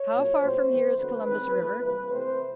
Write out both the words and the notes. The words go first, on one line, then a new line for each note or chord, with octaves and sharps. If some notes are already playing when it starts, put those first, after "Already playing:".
How far from here is Columbus River?
Already playing: C#5
A#2 F#3 A#3
A#2 F#3 A3 C4 C5
E3 A3 C4
D3 F#3 B3 B4
D#3 G#3 C4 B4
A2 F3 A3 B4
C3 E3 G3 A#3 B4
C3 E3 A3 C4 C5